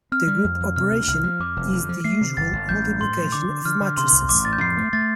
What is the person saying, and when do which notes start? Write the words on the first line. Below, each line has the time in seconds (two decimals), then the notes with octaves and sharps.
The group operation is the usual multiplication of matrices.
0.12 C4 F6
0.27 G3
0.44 F2
0.60 F2
0.76 C3 F6
0.92 D2
1.08 C2 F6
1.24 F3
1.40 F2 D6
1.57 F1
1.72 F2
1.89 F3
2.04 A3 C7
2.21 C3
2.37 G1 A6
2.53 G1
2.69 A1 G6
2.85 G2
3.01 A2 C6
3.17 F3
3.32 D3 D6
3.49 D3
3.65 D3 F6
3.81 D3
3.97 C3 C6
4.12 C2
4.29 A1 D6
4.45 A2 A6
4.53 G6
4.61 F2 C7
4.77 A3
4.93 A3 A6